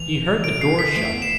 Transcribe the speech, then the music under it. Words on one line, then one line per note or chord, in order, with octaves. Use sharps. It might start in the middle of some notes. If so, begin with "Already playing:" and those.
He heard the door shut.
Already playing: E3 F7
B2 D7
B2
C7
B2
D3 B6
A3 C7
B3
E7